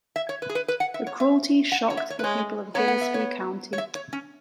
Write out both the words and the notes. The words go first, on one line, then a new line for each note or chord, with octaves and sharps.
The cruelty shocked the people of Gillespie County.
E5
C#5
B4
G#4
B4
B4
F#5
E5
C#5
E5
F#5
C#5
E5
C#5
B4
G#3 C#5
B3 C#5
F#5
E5
C#5
C#5
E5
C#5
C#4